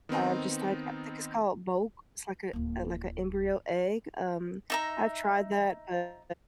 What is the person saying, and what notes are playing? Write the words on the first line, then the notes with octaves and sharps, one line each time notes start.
um, just like, I think it's called boke, it's like a, like a embryo egg, um, I've tried that, but
D#3 B3 C4 D#4
D1 A#3
D#4 E5 A#5